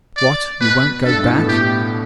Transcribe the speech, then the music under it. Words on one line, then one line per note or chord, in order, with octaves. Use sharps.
"What! you won't go back?"
D5
B2 B4
G2 A4
A2
B2
A2
G4